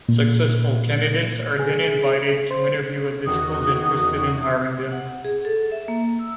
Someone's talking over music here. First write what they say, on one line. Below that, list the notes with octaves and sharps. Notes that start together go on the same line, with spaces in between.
Successful candidates are then invited to interview at the schools interested in hiring them.
A#2
G#4
C5
E2 D#3 F#4 D#6
F#5
G#4
A4
E5
A#3
E6